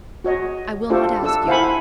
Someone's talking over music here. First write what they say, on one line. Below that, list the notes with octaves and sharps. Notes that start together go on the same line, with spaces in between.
"I will not ask you."
F#4 C#5 D#5
D4 F4 G4 A4 C5
D4 A4 E6
E4 C5 F5 F#5 G#5 B5